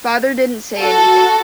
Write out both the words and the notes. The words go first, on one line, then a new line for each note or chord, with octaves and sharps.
Father didn't say anything.
F#4 A4